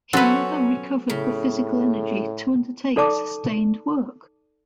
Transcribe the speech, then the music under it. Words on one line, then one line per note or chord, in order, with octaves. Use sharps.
He never recovered the physical energy to undertake sustained work.
F#3 C#4 F#4 A4 B4 C5
A2 C#3
D#4 A4 D5 A5 D6